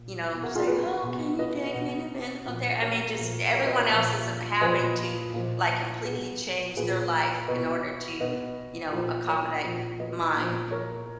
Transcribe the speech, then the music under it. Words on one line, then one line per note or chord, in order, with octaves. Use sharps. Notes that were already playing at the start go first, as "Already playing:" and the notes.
you know, say, "Oh, can you take me to physical ther" I mean, just everyone else isn't having to, like, completely change their life in order to, you know, accommodate m mine.
Already playing: A#2
B2
F#4 A#4
F4 G#4
G#4 B4
B2
B4 D#5
B2
A#2 F3
A#4 C#5
A#2 F3
A#4 C#5
B4 D#5
A#4 C#5
A#2 F3
A#2 F3 B4 D#5
A#2 F3
B2 G#4 B4
A#2 F3 G#4 B4
B2 B4 D#5
B2 B4 D#5
A#2 F3
A#4 C#5
A#2 F3
B4 D#5
A#2 F3
A#4 C#5